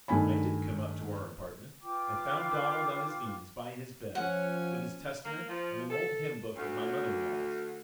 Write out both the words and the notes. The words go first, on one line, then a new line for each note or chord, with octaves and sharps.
When I did come up to our apartment I found Donald on his knees by his bed with his Testament and an old hymn book of my mother-in-law's.
G2 D#3 A3 G#5 B5
F4 B4 G5 D6
F3 C#4 C#5 F#5 G#5
A#3
F3
A4
D2